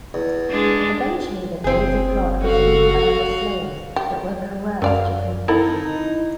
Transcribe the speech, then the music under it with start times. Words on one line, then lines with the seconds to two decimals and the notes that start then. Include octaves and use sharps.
Eventually, the Vesey plot was leaked by other slaves that were coerced to confession.
0.14 E2
0.50 G#3 D4
1.64 F#1 C4 G#4
2.42 F#4 A4 F5
3.96 G4
4.82 F#2 F#3 D5 F5
5.48 C4 D#4 E4 A4 A#4